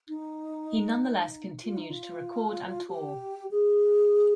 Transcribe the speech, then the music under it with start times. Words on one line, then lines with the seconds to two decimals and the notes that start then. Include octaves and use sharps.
He nonetheless continued to record and tour.
0.09 D#4
1.64 F4
1.77 D#4
1.90 F4
2.88 G4
3.51 G#4